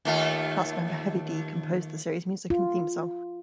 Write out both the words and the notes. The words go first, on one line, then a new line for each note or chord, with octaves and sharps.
Cast member Heavy D composed the series' music and theme song.
D#2 A3 F4
F4